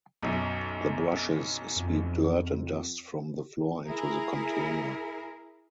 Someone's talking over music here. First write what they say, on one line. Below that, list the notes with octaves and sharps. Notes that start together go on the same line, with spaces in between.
The brushes sweep dirt and dust from the floor into the container.
B1 F#2
F2
E4 G#4 A#4